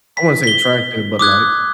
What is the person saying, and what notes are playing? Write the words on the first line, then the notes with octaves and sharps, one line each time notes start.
I wouldn't say attractive, but, like
B6
B6 G7
D6 D#6 F#6 G#6
F#6